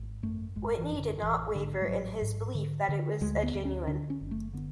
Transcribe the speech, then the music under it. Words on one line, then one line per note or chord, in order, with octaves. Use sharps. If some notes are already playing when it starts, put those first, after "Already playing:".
Whitney did not waver in his belief that it was genuine.
Already playing: G#1
F#2 A3
G#1 G#3
E3
F#2
D3
A1 E3
G#2 D3
G#3
A1 F#3
G#2
D3
D3
D2 G#3
B3
D2
C#4
D3 D4
C#4
F#1
A3
D3 B3